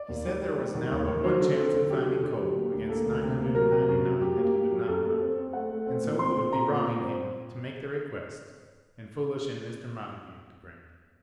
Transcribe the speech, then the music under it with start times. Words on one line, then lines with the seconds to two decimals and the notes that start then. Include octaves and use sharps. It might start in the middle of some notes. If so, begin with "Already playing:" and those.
He said there was now but one chance of finding coal against nine hundred and ninety nine that he would not find it, and so it would be wrong in him to make the request and foolish in Mr. Montague to grant it.
Already playing: D5
0.08 D#2
0.25 G3
0.41 G3
0.57 G3
0.75 D#3
0.91 D#2
1.08 D#3
1.23 F#3 C5
1.40 D3
1.56 C4 A4
1.74 D3
1.90 F#3 G4
2.07 D3
2.23 D3 G4
2.40 F#3
2.56 A#3
2.73 D2
2.89 A#3 A4
3.06 D2
3.23 C3
3.39 A#3
3.55 F#3 A#4
3.72 C3
3.88 F#2
4.05 F#3
4.21 F#2 G4
4.38 A#3
4.55 A#3
4.71 F#3
4.87 F#2 A4
4.97 G4
5.05 A#3 A4
5.21 C4
5.37 C4
5.53 A3 F#5
5.70 A3
5.87 C4
6.03 A#2
6.19 C4 C6
6.36 A#2
6.53 C4 A#5
6.70 A#2
6.86 A#2
7.02 C4